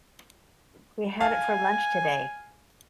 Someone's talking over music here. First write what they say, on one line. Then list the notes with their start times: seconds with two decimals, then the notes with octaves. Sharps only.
We had it for lunch today.
1.20 F5 G#5